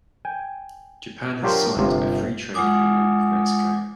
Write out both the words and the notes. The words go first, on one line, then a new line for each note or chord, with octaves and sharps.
Japan has signed a Free Trade Agreement with Mexico.
G5 G#5
F#3 D4 F4 G4 A#4 C5
G1 C3 F4
G#3 F4 F#5 G#5 D6 D#6